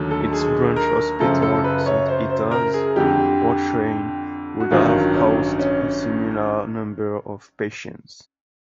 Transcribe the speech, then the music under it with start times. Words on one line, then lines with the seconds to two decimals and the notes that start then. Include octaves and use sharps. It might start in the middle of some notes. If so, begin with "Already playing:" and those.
Its branch hospital, Saint Ita's, Portrane, would have housed a similar number of patients.
Already playing: D#2 D3 F#3 A3
0.11 A4
0.33 G#4
0.76 A#4
1.20 F#2 C#3 F3 A4
1.42 A4
1.64 B4
1.86 C#5
2.08 C5
2.30 C5
2.51 A#4
2.74 G#4
2.96 F2 D3 G3 G4
4.60 F#4
4.71 A1 G2 D#3 F#3 F4
5.14 C#4
5.59 C#4